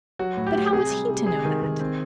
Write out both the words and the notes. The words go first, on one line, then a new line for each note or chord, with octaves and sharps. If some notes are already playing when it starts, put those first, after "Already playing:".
But how was he to know that?'
F#3 F#4
A2
G4
A2
C3 G#4
G3
C3
G#3 G#4
D#3
D#3
C4